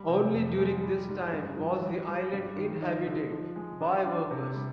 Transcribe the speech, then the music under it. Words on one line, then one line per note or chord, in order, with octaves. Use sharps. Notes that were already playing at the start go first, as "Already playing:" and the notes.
Only during this time was the island inhabited, by workers.
Already playing: G3
C3
F2
G#3
G3
G#2
G2
F3
G3
G3
G2
D#3
D#4
D3
F3
G#3
D4
D4
C3
G3